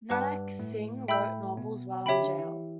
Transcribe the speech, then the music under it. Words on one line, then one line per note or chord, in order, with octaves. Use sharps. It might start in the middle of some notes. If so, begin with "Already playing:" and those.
Nanak Singh wrote novels while in jail.
G2 G3 B4 F#5 A5 D6 F#6
A2 A3
A2 A3 E5 G5 B5 E6 G6
B2 B3
C#3 C#4 G4 C#5 E5 G5 B5
D3 D4
E3 E4